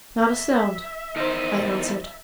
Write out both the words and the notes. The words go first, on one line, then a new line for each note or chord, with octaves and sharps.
"Not a sound!" I answered.
E5
E2 D#4 A#4 C5 D#5